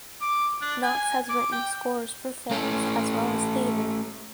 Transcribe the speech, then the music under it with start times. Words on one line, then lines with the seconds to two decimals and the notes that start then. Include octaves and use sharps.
Knox has written scores for films as well as theater.
0.21 D6
0.62 D4
0.83 G#5
1.29 D6
1.52 G5
2.51 A3 C#4